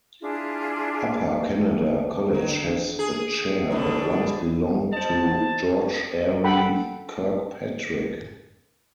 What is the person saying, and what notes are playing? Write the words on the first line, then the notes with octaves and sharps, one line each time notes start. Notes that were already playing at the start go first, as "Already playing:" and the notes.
Upper Canada College has a chair that once belonged to George Airey Kirkpatrick.
D4 E4 F4 G#4
D3
G#4
F2 B2 D3
C5 D#5 A5
A4 F#5 G5 B5